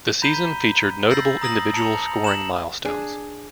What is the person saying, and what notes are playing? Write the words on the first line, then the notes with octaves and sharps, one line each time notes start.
The season featured notable individual scoring milestones.
A#5 B5 G6 B6 D#7 G7
E6 G6 A6 A#6 C7 F#7
A#5 D#6 A#6 F#7
A5 A#5 C#7 F7 F#7
E7 F#7
D4 G#4